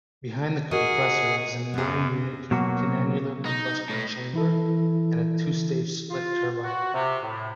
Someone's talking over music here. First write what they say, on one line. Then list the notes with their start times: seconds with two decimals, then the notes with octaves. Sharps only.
Behind the compressor is a nine-unit can-annular combustion chamber and a two-stage split turbine.
0.71 F#4 G#4 A#4 D#5 F#5 G#5
1.74 F#2 B3 G#4
2.51 B2 F#3 A#3 F#4
3.45 D#4
3.89 A2
4.34 E3 E4 A4
6.10 F4
6.64 F#4
6.94 C3
7.23 A2